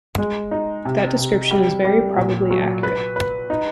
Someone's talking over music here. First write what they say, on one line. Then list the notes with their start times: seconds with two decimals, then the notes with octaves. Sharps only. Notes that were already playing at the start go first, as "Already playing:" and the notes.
That description is very probably accurate.
0.18 G#3
0.51 D#4
0.85 C3
1.18 C3
1.51 G3
1.84 G3
2.17 A#2
2.51 F#3
2.83 B4
3.16 B4
3.50 D#4